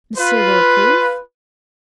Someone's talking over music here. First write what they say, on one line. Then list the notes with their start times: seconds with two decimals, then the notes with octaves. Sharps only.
"Monsieur will approve?"
0.18 F4 B4